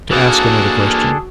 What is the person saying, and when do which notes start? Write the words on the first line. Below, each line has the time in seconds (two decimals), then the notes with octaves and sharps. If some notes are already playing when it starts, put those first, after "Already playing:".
To ask another question.'
0.11 E3 A#3 D4 F#4 G#4 A4